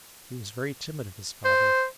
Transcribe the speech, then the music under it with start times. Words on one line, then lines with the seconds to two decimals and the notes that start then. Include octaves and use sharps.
He was very timid of his father.
1.45 C5